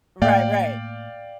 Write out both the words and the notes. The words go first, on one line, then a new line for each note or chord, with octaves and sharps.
Right, right.
A2 A#3 D5 F5 G5